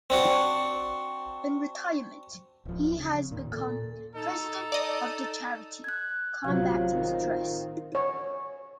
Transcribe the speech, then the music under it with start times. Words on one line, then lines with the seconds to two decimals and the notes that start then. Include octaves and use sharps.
In retirement he has become President of the charity "Combat Stress".
0.10 C4 D4 F#4
2.65 D1 F3
2.99 C#3
3.32 D#2 A#2
3.52 A#2 A4
4.15 D#4 A4
4.72 D5 D#5
5.84 F#6 G#6
6.44 A1 C3 F#3 F4 F5
6.91 D#3 C4
7.95 C#5